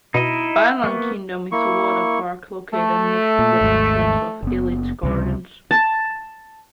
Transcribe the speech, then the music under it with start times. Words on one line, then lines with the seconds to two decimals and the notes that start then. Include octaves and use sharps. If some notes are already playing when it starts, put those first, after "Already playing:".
Island Kingdom is a water park located next to the entrance of Elitch Gardens.
0.14 B2 D#4 E4 D#5
0.56 E5
0.84 A#3 B3 C#6
1.52 A#3 E4 C#6
2.73 A3
3.39 A#2
3.61 G#1 D#2 G#2
4.43 F#1 B3
5.03 C#2 C3 G3
5.71 A5